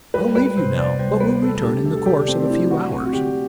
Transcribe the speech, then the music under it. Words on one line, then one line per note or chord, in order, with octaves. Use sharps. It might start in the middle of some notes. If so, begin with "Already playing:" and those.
"I'll leave you now, but will return, in the course of a few hours."
G3 B4
B3 B4
C3 C5
D2 D5
G3 C5
B3 B4
A3 A4
A4
D4 G4
E3 A4
A4
C3 G4
D4
A3 C4
D4
D4 E4
F#3 F#4
C4 F#4
F#4
D3 G4